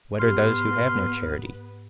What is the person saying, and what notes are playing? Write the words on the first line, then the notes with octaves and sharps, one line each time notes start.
What are those who have no charity?
G#2 B3 G4 B4 C6 F6